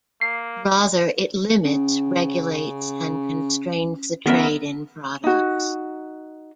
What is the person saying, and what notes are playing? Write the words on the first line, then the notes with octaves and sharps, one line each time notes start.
Rather, it limits, regulates and constrains the trade in products.
A#3 C7
C#3 C#4
C#3 B3 A#4 E5
D#4 F#4